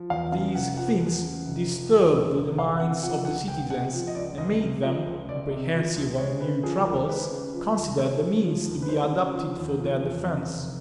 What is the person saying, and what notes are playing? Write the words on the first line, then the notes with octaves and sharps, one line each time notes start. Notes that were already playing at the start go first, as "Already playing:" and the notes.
These things disturbed the minds of the citizens, and made them, apprehensive of new troubles, consider the means to be adopted for their defense.
Already playing: F3
E2 F5
C#3 F5
F1 F#5
F3 F#5
E2
C#3
F1
F3
E2
C#3
F1
C#2 F5
C3 F#5
F3 F#5
C#2 F#5
C#2 G5
C3 F#5
F3
D#5
C#2 D5
C#2 D#5
C3
F3 D#5
C#2
C#2 D5
C3
F3
C#2
G#3 C#5
C#3 B4
F3 G#4
D#2 A#4
G#3 B4
C#3
F3
D#2
G#3 C#5
C#3
F3
D#2
B4
G#3 C5
C#3
F3
D#2
F3
E2
C3
F1